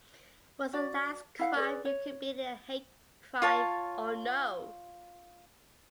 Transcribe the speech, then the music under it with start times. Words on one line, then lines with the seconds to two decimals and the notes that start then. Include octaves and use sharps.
Was the last crime you committed a hate crime, or no?
0.73 F#4 D5
1.39 E4 F5 F#5
1.56 G#4 A#4 B4 D5
1.85 C#5
3.42 F4 C#5 A5